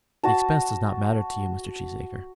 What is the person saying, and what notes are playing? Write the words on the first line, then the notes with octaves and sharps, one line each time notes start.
"The expense does not matter to you, Mr. Cheesacre."
F#4 A5